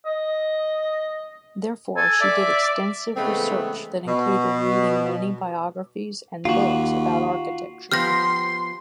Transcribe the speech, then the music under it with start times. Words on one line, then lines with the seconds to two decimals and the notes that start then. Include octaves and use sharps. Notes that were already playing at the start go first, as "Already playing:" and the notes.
Therefore, she did extensive research that included reading many biographies and books about architecture.
0.06 D#5
1.97 A4 G#5
2.21 D5 E5
3.17 C#3 E3 G#3 A3 B3 C4
4.07 B2
6.45 D#2 F4 F#4
7.92 F3 B3 G4 C6 F6 G6 A#6